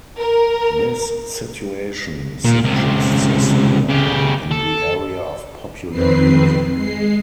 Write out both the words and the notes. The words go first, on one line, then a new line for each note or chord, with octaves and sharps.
This situation suggests a similar one in the area of popular music.
A#4
A#2
C#2 C3
C#3 G4
A4
F2 D#3 C4 B4 C7
G#3 C7